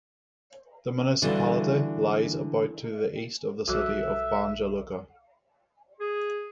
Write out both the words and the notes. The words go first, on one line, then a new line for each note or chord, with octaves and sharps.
The municipality lies about to the east of the city of Banja Luka.
D3 E3 G3 F4 F#4
B1 F3 G3 F#4 A4 E5 E6 F#6
G#4